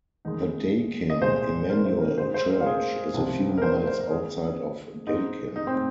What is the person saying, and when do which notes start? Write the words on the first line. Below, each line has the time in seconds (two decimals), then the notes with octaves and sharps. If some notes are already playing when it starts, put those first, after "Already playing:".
The Daykin Immanuel Church is a few miles outside of Daykin.
0.25 D#2 D#3 G#3 D#4
1.10 D#5
1.21 C2 A#2 G#3 C5
1.70 A#4
1.86 C5
2.01 A#4
2.18 G#2 G#3 C5
2.34 C5
2.50 A#4
2.61 F4
2.66 G#4
3.14 C2 C3 F3
3.58 A#4
3.62 C5
3.87 C5
4.00 A#4
4.10 G#2 D#3 G#3 G#4
5.07 G#2 G#3 D#4
5.56 D#4
5.67 C4